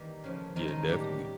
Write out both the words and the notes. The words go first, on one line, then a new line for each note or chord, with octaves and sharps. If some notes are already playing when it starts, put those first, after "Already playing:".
Yeah, definitely.
Already playing: D#3 E3 G3 A#3
C#3 F3 A3
B2 D#3 G#3 D#4
D#3 D#4
A2 F#3 G3 A#3 G4